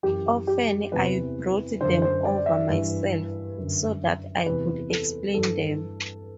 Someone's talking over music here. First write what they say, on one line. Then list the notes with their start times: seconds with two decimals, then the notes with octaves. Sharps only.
Often I brought them over myself, so that I could explain them.
0.03 F#2 E3 G4
0.47 G4
0.91 E2 C3 E3 B4
1.81 F#2 D3 C5
2.02 C5
2.25 D5
2.46 E5
2.69 G2 E3
3.58 F#2 D3
4.46 E2 C3 E3 B4
4.90 A4
5.34 G2 E3 A4